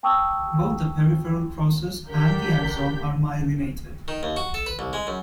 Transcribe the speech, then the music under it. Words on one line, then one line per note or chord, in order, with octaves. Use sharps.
Both the peripheral process and the axon are myelinated.
G5 A5 C#6 D#6 E6
D3 D4 G4 A#4 G6 B6
D#3
D#2
F#4
A4
B4
C2
G#3
F#2